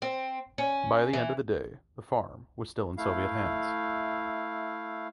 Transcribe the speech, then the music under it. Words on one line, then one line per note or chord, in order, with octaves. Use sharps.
By the end of the day the farm was still in Soviet hands.
C4
C#4
E3
A3 E4 F5